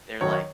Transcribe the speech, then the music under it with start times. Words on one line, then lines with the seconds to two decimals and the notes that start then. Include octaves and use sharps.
they're like,
0.21 F#2 D#3 F#3 C#5